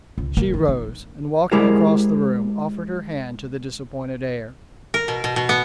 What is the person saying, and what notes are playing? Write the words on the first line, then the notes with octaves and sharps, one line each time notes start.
She rose, and walking across the room, offered her hand to the disappointed heir.
C#2
A#3
E3
D#4
G#3 E4 G4 G#4 A#4 C5
A#4
B2
B2
B2
B3